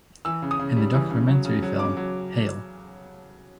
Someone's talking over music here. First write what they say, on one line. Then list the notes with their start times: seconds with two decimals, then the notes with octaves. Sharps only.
In the documentary film Hail!
0.25 E3 E6
0.42 C#3
0.51 D#6
0.59 C#3
0.77 G3
0.94 E3
1.11 C#3
1.28 F#3
1.45 C#3
1.62 F#3
1.79 C#3 D6
1.97 F#3